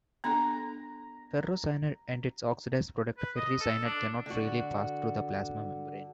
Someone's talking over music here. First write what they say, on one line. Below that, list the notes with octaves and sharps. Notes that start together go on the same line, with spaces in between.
Ferrocyanide and its oxidized product ferricyanide cannot freely pass through the plasma membrane.
B3 D4 A4 A#5
B4
D#5
A4
D4
D3 F#4